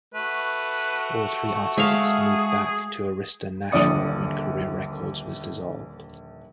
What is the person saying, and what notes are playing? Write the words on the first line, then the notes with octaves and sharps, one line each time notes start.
All three artists moved back to Arista Nashville when Career Records was dissolved.
A3 F#4 B4
G#3 G#4 E5 F5
D#1 A#1 D3 D5 D#6 C#7